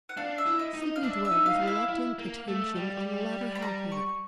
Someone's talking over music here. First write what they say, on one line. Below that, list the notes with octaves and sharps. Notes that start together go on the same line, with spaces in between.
Sydney dwelt with reluctant attention on the latter half of it.
F#5
D4 F5
E5
E4
D#5
D#4
D#5
F5
D4 E5
E5
D#4
F5
D#4
E4
F5
E4
A#3
A3
G3
B5
A#5
C#6